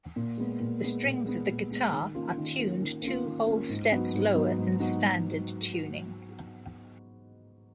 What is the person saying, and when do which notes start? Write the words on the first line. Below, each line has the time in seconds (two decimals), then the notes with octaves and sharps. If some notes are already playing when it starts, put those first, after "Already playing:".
The strings of the guitar are tuned two whole steps lower than standard tuning.
0.16 A#2
0.38 G#3 B3
0.60 A#2
0.83 G#3 B3
1.04 A#2
1.27 G#3 B3
1.48 A#2
1.71 G#3 B3
1.92 D#3
2.14 A#3 C#4 F4
2.37 D#3
2.58 A#3 C#4 F4
2.82 D#3
3.03 A#3 C#4 F4
3.25 D#3
3.47 A#3 C#4 F4
3.69 G#2
3.92 F#3 B3 D#4 F#4
4.14 G#2
4.35 F#3 B3 D#4 F#4
4.58 G#2
4.80 F#3 B3 D#4 F#4